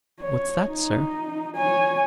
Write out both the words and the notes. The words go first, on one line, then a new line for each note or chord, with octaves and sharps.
"What's that, sir?"
C#5
D#4
C#5 G#5